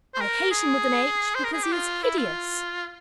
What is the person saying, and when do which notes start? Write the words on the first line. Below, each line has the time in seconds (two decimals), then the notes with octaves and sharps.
I hate him with an H, because he is Hideous.
0.14 C5
0.20 A#4
0.50 G#4
1.35 C5
1.44 A#4
1.53 G#4
1.63 G4
1.72 F4
2.03 E4
2.18 F4